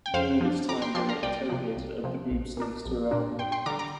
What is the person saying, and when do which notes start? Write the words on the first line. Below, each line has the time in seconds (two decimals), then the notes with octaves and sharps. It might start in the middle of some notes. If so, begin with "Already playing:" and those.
During this time they were interrogated over the groups links to Iran.
0.06 G5
0.14 F2 C5 F5
0.41 F3 D4
0.68 F2 A#5 D6
0.82 G5 C6
0.95 F3 D4 G5 C6
1.09 F5 A#5
1.23 C2 D5 G5
1.49 C3 F3
1.76 C2
2.04 C3 F3
2.31 A#1
2.57 A#2 A#3 D4
2.85 A#1
3.11 A#2 A#3 D4
3.39 G2 G5 C6
3.52 G5 C6
3.66 D3 G3 A#5 D6
3.79 A#5 D6